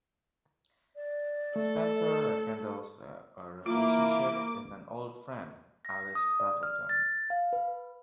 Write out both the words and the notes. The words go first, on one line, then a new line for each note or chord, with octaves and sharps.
Spencer rekindles a relationship with an old friend, Alice Staverton.
D5
A3 A4
E3 A#3 E4 F4 D6
A#6
D#6
D5
F6
A6
F5
B4